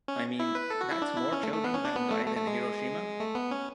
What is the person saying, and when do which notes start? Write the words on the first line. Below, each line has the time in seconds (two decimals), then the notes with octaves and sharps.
I mean, that's more children than died in Hiroshima.
0.08 C#4
0.40 E4
0.55 B4
0.70 A4
0.81 F#4
0.91 E4
1.02 D4
1.17 E4
1.32 C#4
1.43 A3
1.54 A3
1.64 B3
1.74 C#4
1.85 D4
1.96 B3
2.11 A3
2.26 A3
2.37 A3
2.47 G#3
3.20 A3
3.35 B3
3.51 C#4